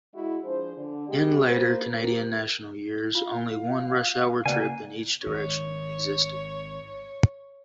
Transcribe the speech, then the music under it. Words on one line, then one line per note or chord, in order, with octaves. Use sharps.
In later Canadian National years, only one rush-hour trip in each direction existed.
G#3 E4 F#4
F3 D4 G#4 C5
D3
G3 G#3 C4 G4
A#3 B4 C5
F3 G4 A#4
F4 F5
C#3 A#3 F#4 B4 D5 F#5 G#5
G#1 D#3 C#5